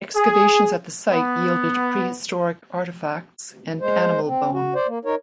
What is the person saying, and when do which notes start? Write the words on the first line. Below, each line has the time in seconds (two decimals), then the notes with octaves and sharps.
Excavations at the site yielded Prehistoric artifacts and animal bone.
0.16 G#4
1.11 B3
3.81 G#3 C5
4.26 C4
4.54 F#4
4.75 C5 D5
4.87 A#3
5.05 D#4 A#4 C#5